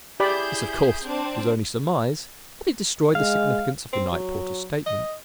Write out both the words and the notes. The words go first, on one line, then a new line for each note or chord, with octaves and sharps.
This, of course, was only surmise, but it destroyed the significance of the night porter's statement.
E4 G4 G#4 D5 B5 G6
C4 D4
G#3 F5
C4
F#3
D#5